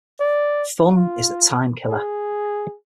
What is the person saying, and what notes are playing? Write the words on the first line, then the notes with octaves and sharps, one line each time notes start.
Fun is the time-killer.
D5
F4
G#4